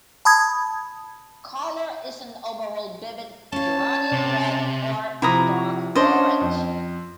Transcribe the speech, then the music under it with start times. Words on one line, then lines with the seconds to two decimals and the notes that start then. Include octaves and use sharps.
Colour is an overall vivid geranium red or dark orange.
0.25 A5 B5 D#6 G#6
3.52 C#4 C#5 F5 A5
4.12 C3
5.22 C3 F3 E4 A#5 D#6
5.95 C#4 D4 C5 D#5
6.41 F2